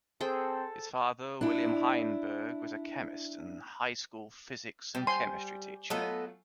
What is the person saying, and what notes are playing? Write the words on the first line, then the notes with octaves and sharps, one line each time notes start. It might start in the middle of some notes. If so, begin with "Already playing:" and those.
His father, William Heinberg, was a chemist and high-school physics and chemistry teacher.
C4 G#4 A4 C5 G5
D4 E4
G3
C5 G#5 C6
F#3 A3 B3 F4 A4 D#5